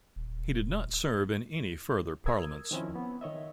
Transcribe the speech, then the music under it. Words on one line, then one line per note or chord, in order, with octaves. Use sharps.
He did not serve in any further Parliaments.
D#1
A#4 D#6 E6 G#6
D#3 F3 C4 C#4 E4
B3
D#3 C#5 D#5 E5